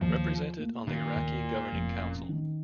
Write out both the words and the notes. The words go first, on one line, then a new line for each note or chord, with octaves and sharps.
Represented on the Iraqi Governing Council.
D#2 F3
F4
A#3
A#2 D#3
D#2
F4
F1
C#4
D#3